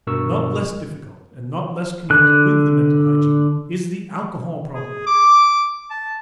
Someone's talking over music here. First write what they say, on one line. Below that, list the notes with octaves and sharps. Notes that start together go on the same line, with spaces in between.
Not less difficult and not less connected with the mental hygiene is the alcohol problem.
G2 B2 A#4 C#6 E6
D3 F#6
G#4
D6
A5